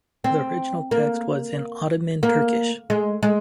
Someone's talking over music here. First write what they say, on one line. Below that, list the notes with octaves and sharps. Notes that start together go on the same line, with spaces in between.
The original text was in Ottoman Turkish.
C4
A#3
A#3
G#3
G#3